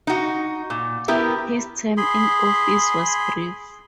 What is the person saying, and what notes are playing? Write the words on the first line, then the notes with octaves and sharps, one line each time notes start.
His term in office was brief.
D#4 F#4
A#2
B3 E4 G4 A#4
G#4 B5 C6